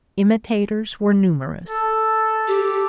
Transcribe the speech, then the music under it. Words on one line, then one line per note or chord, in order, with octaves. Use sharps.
Imitators were numerous.
A4
G4